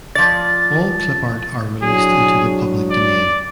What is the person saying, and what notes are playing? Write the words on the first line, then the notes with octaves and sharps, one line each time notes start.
All Clipart are Released into the Public Domain.
F3 D5 A6
A2 F#3 D4 G#4
D5